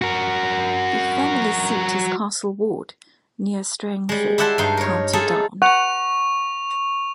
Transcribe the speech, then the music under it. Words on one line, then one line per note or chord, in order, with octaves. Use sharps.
The family seat is Castle Ward, near Strangford, County Down.
F#4 A#4
G3 G#3
E4 G4 E5 F#5 A5 C6
G2 D#4 C6
A#4 C#5
D#4 F4 G#4 A4 E5
F#5 C#6 F7